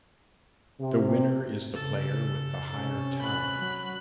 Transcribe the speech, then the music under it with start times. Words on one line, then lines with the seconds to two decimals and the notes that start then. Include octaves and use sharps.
The winner is the player with the higher tower.
0.81 C3
1.74 C#3 A4
2.71 C3 C#4
3.21 B5 F#6
3.60 F#3